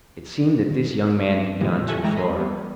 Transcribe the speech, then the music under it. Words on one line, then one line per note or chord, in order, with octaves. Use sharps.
It seemed that this young man had gone too far.
G2 A#2 D3 E3 G3 G#3
G4 A4 E5 G#5 C#6 F#6
A2 E3 G#3 A3 G5 A#5
D#5 B5 C6
G3 B3